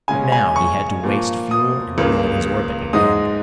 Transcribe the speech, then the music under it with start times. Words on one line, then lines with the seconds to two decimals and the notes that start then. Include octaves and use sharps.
But now he had to waste fuel and ruin his orbit again.
0.08 C#3 G#3 C#4 G#5
0.32 G#5
0.56 C#6
1.03 A#2 F3 A#3
1.51 D#6
1.98 C#2 C#3 A#3
2.93 G#2 G#3 D#4 D#6